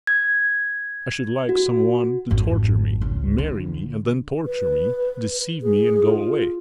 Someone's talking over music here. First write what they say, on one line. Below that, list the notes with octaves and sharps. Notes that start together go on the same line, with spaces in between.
I should like some one to torture me, marry me and then torture me, deceive me and go away.
G#6
F#4
G#1 F2
C#2
D3
B4
G#4
F4